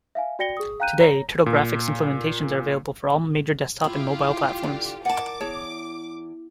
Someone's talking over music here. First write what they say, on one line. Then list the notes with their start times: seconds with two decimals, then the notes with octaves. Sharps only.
Today, Turtle graphics implementations are available for all major desktop and mobile platforms.
0.15 E5 F5 G#5
0.39 F#4 D5 G5 A#6 C#7 G7
0.57 G#4 D#6
0.80 F5 G5 A#5 F#6 G6 D#7
1.00 C#5 A#5 A#6
1.46 A#2
3.84 E4 F4 G4
4.22 F5
4.63 D3 A4
5.05 A#4 D5 F#5 G#5 A5 D6
5.40 E2 G#4 C#5 A5